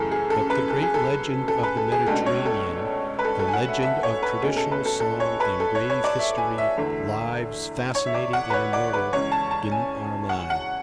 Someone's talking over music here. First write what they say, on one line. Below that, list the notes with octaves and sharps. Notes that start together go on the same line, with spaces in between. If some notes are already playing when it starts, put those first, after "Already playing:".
But the great legend of the Mediterranean, the legend of traditional song and grave history, lives, fascinating and immortal, in our minds.
Already playing: F#2 C#3 E3 A3 G#4 A4
G#4
A4
B4
A4
G#4
A4
A4
B4
A4
G#4
C#2 B2 A3 D4 A4
C#5
A4
B4
A4
A4
G#5
F#5
E5
E5
C#5
B4
B2 A3 C#4 G#4
A4
B4
A4
A4
C#5
B4
A4
C#5
C#5
D5
E5
G#5
E5
E2 D3 A3
C#5
E5
D5
F#5
B4
C#5
D5
B4
E2 C#3 G#3 C#5
A5
A5
G#5
F#5
F#5